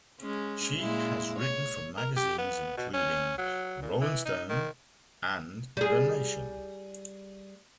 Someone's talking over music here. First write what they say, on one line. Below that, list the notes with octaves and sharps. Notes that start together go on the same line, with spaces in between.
She has written for magazines including "Rolling Stone" and "The Nation".
G#3 C#4
A#2 G#3 E4
C#5
A#4
G4
B3
B2
C#4
F#3
A#2
E3
D#4
D#3
G3 G#4